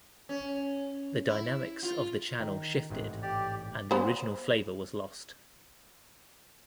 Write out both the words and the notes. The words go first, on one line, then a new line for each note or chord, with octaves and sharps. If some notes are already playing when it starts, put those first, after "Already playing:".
The dynamics of the channel shifted and the original flavor was lost.
C#4
E4
F4
D#3
A1 G#2 C3
G4 D5
B3 C5